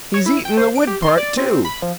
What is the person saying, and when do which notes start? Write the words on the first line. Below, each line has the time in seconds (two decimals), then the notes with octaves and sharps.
He's eatin' the wood part, too!
0.14 C#5
0.26 E4
0.45 G5
0.57 C5
0.76 D7
0.87 G4
1.02 C6
1.18 D5
1.37 C4
1.65 B5
1.82 F3